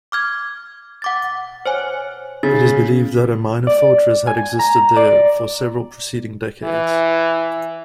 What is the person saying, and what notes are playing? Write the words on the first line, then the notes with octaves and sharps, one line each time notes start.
It is believed that a minor fortress had existed there for several preceding decades.
D6 F6 G#6
F#5 D6 A6
C5 C#5 G#5
C#3 A6
D5
G#5
A#5
D5
E3